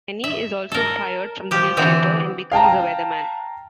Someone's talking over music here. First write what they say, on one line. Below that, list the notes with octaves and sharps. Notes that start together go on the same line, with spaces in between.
Kenny is also fired from the newspaper and becomes a weatherman.
E5
A4 A#4
F3 G4
D3 E3 B3 C4
F5 G5 A5 A#5